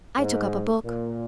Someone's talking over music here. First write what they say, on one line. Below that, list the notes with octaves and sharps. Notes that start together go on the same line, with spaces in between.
I took up a book.
G#2
A#2